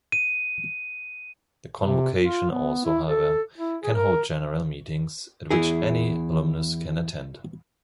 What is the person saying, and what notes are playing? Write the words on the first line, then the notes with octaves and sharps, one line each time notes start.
The convocation also, however, can hold general meetings, at which any alumnus can attend.
D#7
C3
F4
B3
E4
A4
E4
G#4
A#4
E2 E4 G#4